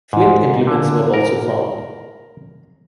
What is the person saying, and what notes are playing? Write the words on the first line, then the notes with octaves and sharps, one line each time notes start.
Flint implements were also found.
G#2
D3
A#4